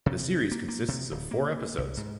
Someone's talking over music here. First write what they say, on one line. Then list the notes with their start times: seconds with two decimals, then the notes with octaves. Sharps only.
The series consists of four episodes.
0.06 C3
0.52 A#3
0.68 A#3
0.88 C3
1.11 D1
1.31 A#3
1.78 C2
1.97 G#2